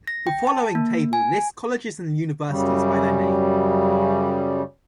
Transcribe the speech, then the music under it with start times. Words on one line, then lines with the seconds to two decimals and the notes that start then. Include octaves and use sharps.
The following table lists colleges and universities by their name.
0.07 A#6
0.27 G5
0.47 A5
0.75 A#3
1.13 G#5
2.49 F#2 C#3 G3